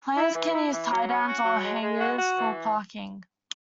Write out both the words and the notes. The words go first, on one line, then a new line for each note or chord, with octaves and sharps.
Planes can use tiedowns or hangars for parking.
E4
E3
E4
E3
F#3
C#4
F#4
F#3
G#3
G#3
F#4
F#4
E3